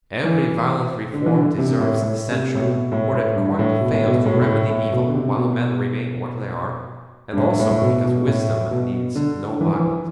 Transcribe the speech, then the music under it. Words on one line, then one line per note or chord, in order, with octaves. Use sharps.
Every violent reform deserves censure, for it quite fails to remedy evil while men remain what they are, and also because wisdom needs no violence.
E3
D3
E3
D3
C3
A2
A2
C3
A2
B2
A2
A2
G2
A2
B2
A2
B2
A2
B2
A2
A2
B2
D3
C3
B2
G2
A2
A2
A2
B2
B2
B2
A2
B2
D3
E3
F3
E3